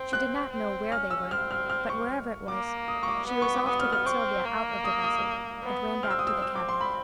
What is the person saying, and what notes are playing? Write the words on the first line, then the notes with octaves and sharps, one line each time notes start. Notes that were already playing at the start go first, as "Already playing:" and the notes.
She did not know where they were, but wherever it was she resolved to get Sylvia out of the vessel, and ran back to the cabin.
Already playing: C4
F#6
C4
C#4 F6
E6
C4 F6
F6
F6
C#6
A#3 D6
D#6
C#6
D6
B3
C#6
D6
B3 D#6
F6
F6
C4 C#6
A#3
D#6
D#6
B3
C4 F6
E6
D#6
E6
E6
D6
C6
B5